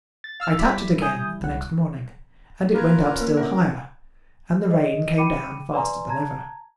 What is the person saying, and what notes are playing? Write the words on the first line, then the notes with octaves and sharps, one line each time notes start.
I tapped it again the next morning, and it went up still higher, and the rain came down faster than ever.
A6
F5 E6 F6
G3 E4 D6 B6
G#5 D#6 G6
C2 F#5
A#3 F4 A#4 B4 G#6
C#4
A#3
C#4 E4 A#4 F#5
D#5
G5 B5 D6 C#7 D#7
B4 D5 G#5 A#5 C6
A5 A#5 G#6